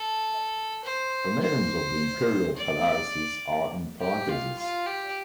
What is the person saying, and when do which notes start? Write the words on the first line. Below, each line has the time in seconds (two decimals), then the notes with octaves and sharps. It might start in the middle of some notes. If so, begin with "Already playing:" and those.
The names of the Imperial palaces are in parentheses.
Already playing: A4
0.84 C5
1.42 C5
2.57 D5
4.01 G4
4.29 F4
4.58 F4
4.86 G4